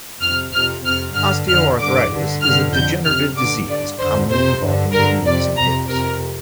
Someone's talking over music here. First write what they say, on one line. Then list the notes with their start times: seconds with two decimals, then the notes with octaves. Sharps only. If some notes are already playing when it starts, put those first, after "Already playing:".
Osteoarthritis is a degenerative disease commonly involving the knees and hips.
0.21 F2 C3 F6
0.52 F2 C3 F6
0.85 F2 C3 F6
1.15 G2 D3 F6
1.48 F2 D3 F6
1.79 G2 D3 D6
2.10 G2 D3
2.42 G2 D3 F6
2.73 F2 D3 G6
3.04 F2 C3 F6
3.36 G2 D3 D6
3.68 G2 D3 D5
3.99 F2 D3 C5
4.31 F2 C3 C5
4.62 G2 D3
4.93 G2 D3 A#4
5.25 F2 C3 D5
5.56 F2 C3 A#5
5.87 F2 C3 A#4